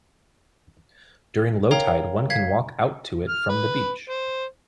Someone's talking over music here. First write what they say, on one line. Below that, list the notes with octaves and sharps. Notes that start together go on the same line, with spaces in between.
During low tide, one can walk out to it from the beach.
A#4 C#5 F5 G5 A#5
F5 G#6 B6
F6
B4
C5